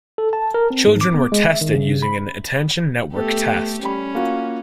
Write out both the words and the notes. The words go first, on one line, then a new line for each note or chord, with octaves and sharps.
Children were tested using an Attention Network Test.
A4
A5
A#4
C4
G#2
D6
B3
G#3
E5
D#3
C#3
B5
A3 B3 G4 A4
G3 C#4 B5
A#3 F4 F#4